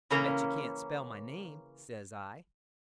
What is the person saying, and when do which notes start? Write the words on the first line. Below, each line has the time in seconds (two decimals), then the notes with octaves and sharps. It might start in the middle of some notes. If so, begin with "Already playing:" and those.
"I bet you can't spell my name," says I.
0.10 C#3 E3 A#3 C#4 A#4